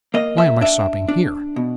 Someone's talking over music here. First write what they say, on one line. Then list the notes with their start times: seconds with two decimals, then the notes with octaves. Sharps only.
"Why am I stopping here?"
0.14 A#3 D#5
0.38 E5
0.61 D4 E5
1.08 D4
1.56 B2